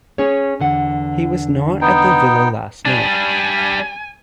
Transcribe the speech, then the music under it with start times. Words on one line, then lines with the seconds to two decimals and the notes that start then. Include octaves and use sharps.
He was not at the villa last night.
0.18 C#4 G#4 C#5
0.60 E2 D3 F#5
1.81 B3 D#4 G5
2.85 G3 D4 G#5